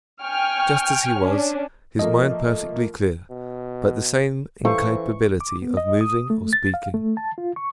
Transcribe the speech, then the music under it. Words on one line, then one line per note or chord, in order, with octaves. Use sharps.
"Just as he was, his mind perfectly clear, but the same incapability of moving or speaking."
G5 G#5 C#6 F6
C#4 D4
F3 A3 A#3 D#5
B2
E3 A4 C5 F5 C#6
D6
B3
D#5
D#6
A3
A6
F5
A3
A5
F4
C#6